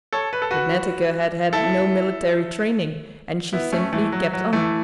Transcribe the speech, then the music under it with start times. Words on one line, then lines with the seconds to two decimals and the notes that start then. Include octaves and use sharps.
But Netteke had had no military training, and she simply kept on.
0.13 A4 C#5
0.33 B4
0.42 A4
0.51 F#4 B4
1.53 E4 A4
3.53 B3 E4
3.72 A3 C#4
3.92 E3 A3
4.12 F#3
4.33 F#3
4.53 E3 A3